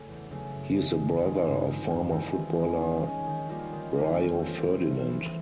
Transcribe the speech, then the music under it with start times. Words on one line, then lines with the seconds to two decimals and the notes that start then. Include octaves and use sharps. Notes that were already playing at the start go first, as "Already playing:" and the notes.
He is the brother of former footballer Rio Ferdinand.
Already playing: C#3 A3
0.09 E2
0.31 C#3 F#3 A3
0.54 F#2
0.77 D#3 G#3
0.99 F#2
1.22 D#3 G#3
1.45 G2
1.67 E3 G#3 C4 F4
1.90 G2
2.12 E3 G#3 C4 F4
2.36 D#3
2.59 G#3 C#4
2.81 D#3
3.04 G#3 C#4
3.27 D#3
3.49 G3 A#3 C#4 F4
3.73 D#3
3.95 G3 A#3 C#4 F4
4.18 E3
4.40 A3 C4 F4
4.63 E3
4.85 A3 C4 F4
5.08 E3